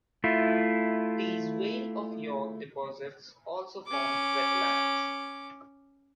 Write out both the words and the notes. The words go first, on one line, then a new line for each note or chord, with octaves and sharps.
These Vale of York deposits also formed wetlands.
A3 E4 F4
C#4 D6